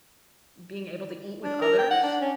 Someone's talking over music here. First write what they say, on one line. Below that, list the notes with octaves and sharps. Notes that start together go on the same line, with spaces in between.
being able to eat with others.
D4
A#4
G5
F#5
D4
C#4